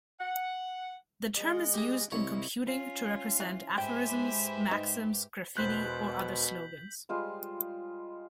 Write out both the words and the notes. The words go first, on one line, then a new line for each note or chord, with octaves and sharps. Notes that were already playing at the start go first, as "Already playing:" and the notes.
The term is used in computing to represent aphorisms, maxims, graffiti or other slogans.
F#5
G#3 D#5
G4 G#4
C2 E4 C#5 D#5
C#4 F4
E3
G#2 G4 B4 C5 E5 G5 G#5 B5
D#4
E1 B2 C5 F#6 G6 B6 F#7
G3 G#3 F4 C5